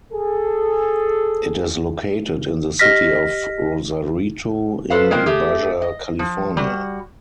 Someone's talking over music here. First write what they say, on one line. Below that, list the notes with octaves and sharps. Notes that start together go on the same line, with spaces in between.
It is located in the city of Rosarito in Baja California.
G#4 A4
G4 D#5 F6 A#6 B6
A4 B4 C5 F5
G#3 A#3 C4 F4
A3 G4 G#4
D#5
F3
G3 F#4